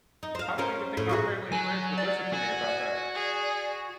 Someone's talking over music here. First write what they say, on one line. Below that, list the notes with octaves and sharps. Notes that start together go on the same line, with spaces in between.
I don't even think my family or friends would listen to me about that.
D#4
C5 F5
C#4 A#4 C5
A2
A#2 F#4 G#4
F#3 G#5
D5
F#4 G#5
G#4